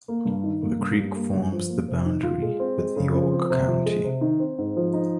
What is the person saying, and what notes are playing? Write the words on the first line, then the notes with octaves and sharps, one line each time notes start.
The creek forms the boundary with York County.
A#3
G2
D#3
A#3
G2
G3
A#3
G2
F3
A#3
C3
D#3
F4
G#3
C4
G#3
C#3
F3
C4
C3
F3
G#3
C3
D#3
C4
G#2
F3
D#4